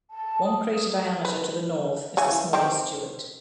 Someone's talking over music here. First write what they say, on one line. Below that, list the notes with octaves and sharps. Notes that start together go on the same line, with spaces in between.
One crater diameter to the north is the smaller Stewart.
A5
D#6
B4
C#3 E3 G#5
D#3 C4 G4